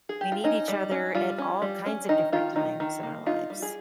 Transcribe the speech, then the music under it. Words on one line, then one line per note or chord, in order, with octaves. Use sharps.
We need each other at all kinds of different times in our lives.
G#4
G4
F4
C#4 D#4
G3
C#4
G3 F4
C#4
G3
C#4
D#3 D#4
D#3 F4
D#3 D#4
D#3
A#3
D#4 F4
G3
G#4